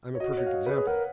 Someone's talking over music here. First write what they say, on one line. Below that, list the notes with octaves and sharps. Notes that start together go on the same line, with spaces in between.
I'm a perfect example.
C#5
F#4 D#5
C#5
F5
D#5
B4
G#4 C#5
A#4 F#5